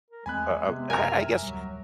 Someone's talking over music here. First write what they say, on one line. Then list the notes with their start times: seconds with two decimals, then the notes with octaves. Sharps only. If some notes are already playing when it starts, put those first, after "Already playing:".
uh, I I guess
0.11 A#4
0.26 E2 G#3 A3 C4 G#5 B5 F#6
0.68 C3 B3
0.90 F#1 F2 A#4 E5 G#5 A#5
1.43 D1 F#3 G3